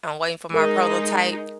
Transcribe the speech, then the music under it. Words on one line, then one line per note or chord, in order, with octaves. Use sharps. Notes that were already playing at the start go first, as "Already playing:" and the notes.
I'm waiting for my prototype.
G#3 D#4 A#4